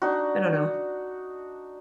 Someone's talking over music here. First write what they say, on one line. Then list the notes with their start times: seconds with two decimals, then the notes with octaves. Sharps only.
I don't know.
0.02 D4 D#4 F#4